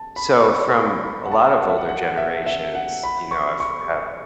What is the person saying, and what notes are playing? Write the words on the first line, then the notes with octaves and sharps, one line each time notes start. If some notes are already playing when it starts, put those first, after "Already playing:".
So from a lot of older generations, you know have have
Already playing: A5
B5
C#6
C#6
B5
F#5
A5
F#5
E5
F#5
F#5
E5
E5
F#5
B5
C#6
C#6